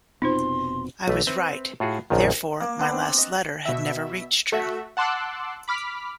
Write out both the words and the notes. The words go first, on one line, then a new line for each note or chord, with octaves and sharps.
I was right, therefore, my last letter had never reached her.
F1 B2 C4 D#4 F4 C5 C6
B1 A3 B4
C4 B4 E5
A2 F4 F#4 G#4
A#1 F#2 D#3
A#3
B3 D4
C4
D#5
B2 E5
A3 F#4 E5
F#5 A5 C6 D6 E6 F#6
B5 D6 F6 B6